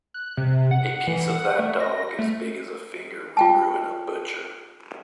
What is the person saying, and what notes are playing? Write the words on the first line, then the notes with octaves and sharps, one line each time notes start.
A piece of that dog as big as a finger would ruin a butcher.
F#6
C3
F#5
E3
F#5
A3
A#6
A3
F4 G5 A5